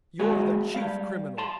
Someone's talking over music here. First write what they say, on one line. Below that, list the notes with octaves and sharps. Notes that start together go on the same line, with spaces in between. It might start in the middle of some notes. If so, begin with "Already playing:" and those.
You're the chief criminal!
G#3 A#3 F#4 G#4 A#4
G3 F5
A5 C6